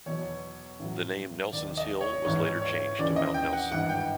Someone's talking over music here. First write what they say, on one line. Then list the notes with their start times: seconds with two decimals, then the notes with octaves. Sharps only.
The name 'Nelson's Hill' was later changed to Mount Nelson.
0.06 E2 B2 F#3 C#5
0.79 A1 A2 F#3
1.53 F1 D#2 D#3 D5
1.77 D#5
2.01 C#5
2.25 A1 G#2 E3 C#5
2.62 C#5
2.99 D#2 C#3 E3 D5
3.16 D#5
3.34 G5
3.53 F#5
3.72 G#1 G2 E3 F#5
3.89 G5